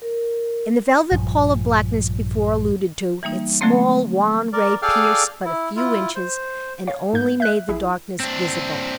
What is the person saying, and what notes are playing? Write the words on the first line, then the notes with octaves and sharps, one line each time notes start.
In the velvet pall of blackness before alluded to, its small, wan ray pierced but a few inches, and only made the darkness visible.
A#4
A#1 G2 F3
E3 G3 A#3 D#4
D3 F3 F#3 A3 A#3 C4
A#4 D5
G#4 A4 D5 F5 G5 F6
E4
E4 F4
C5
C#5 F5
G#2 A#3 G6
E5 F#6
A#1 E4 G#4
C4 D4